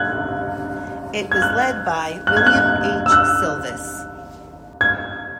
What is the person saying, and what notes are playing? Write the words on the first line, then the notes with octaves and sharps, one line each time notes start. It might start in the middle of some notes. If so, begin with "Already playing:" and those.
It was led by William H. Sylvis.
Already playing: F#6 G#6
G#6
F#6
F#6
G#6
F#6
E6
F#6
G#6